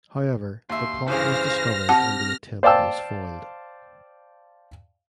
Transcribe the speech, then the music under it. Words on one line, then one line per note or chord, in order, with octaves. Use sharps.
However the plot was discovered and the attempt was foiled.
D#2 E5 C6
G2 C#3 E3 C5 F5 F6 A#6
C3 F#5 A5
C5 D5 F5 G5 A5 E6